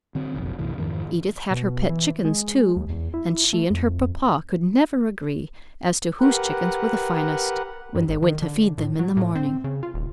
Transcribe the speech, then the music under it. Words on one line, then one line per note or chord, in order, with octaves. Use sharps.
Edith had her pet chickens, too, and she and her papa could never agree as to whose chickens were the finest, when they went to feed them in the morning.
D3 C4
F#1 B1 F2
A#1 F#2 C3 E3
F2 G#2 D#3 F3
B2
E3
G#3
D#2
E2
E4
A3
F2
G4 A#4 B4 F#5
G2
G#1
D#3
D3
A2
F#3
A2
C4
C#3
F4
D#1